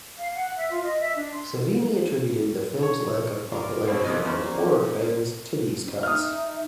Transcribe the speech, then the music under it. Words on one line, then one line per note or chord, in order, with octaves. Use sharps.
Savini attributed the film's lack of popularity among horror fans to these cuts.
F5
F#5
E5
F4
D#5
E5
D4
C6
C#5
G3 F4 A#4
B2 C4 C#4
C2 F2 B3 D5 D#5
C#3 A#3 C5
G3 A#3
D#4 E5 D#6 F6